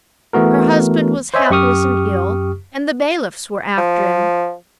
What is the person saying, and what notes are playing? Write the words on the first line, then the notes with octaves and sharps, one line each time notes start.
Her husband was helpless and ill, and the bailiffs were after him.
E3 A3 B3 F#4 A#4
C5 C#5 D#5 E5 G#5
F#2 G4 C#6 D#6 F6
F3